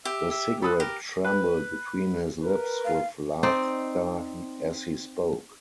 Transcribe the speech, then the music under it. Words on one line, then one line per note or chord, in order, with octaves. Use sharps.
The cigarette trembled between his lips with laughter as he spoke.
G4 E5
E5
A4 B5 D#6 F#6
G4 A#4
B4
A#4 B4
F5
C4 D#4 D5